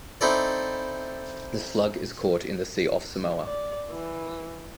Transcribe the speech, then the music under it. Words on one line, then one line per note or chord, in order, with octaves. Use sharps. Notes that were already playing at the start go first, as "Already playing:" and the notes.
The slug is caught in the sea off Samoa.
C4 D#4 E4 A4 D5
D5
E3